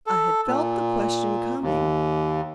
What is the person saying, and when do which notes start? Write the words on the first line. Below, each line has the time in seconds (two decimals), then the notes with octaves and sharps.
I had felt the question coming.
0.07 A4
0.47 A#2
1.61 D#2